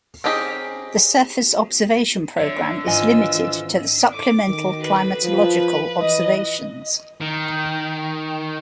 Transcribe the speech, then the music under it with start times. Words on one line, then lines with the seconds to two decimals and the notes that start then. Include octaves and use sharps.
The surface observation program is limited to the supplemental climatological observations.
0.24 C4 C#4 D#4 G4 G#4
2.38 D3 C#5 D5 E5 G5
2.87 G#2 D#3 E3 F4 D#5 G#5 E6
4.12 D6
4.47 D#3
4.82 B4
5.23 F3
6.00 E3 D#5
7.21 D#3